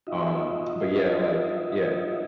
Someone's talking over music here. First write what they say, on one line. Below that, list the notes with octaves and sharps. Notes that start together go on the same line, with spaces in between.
Um, but, yeah, like Yeah.
D#4 F4 F#4 D#5 E5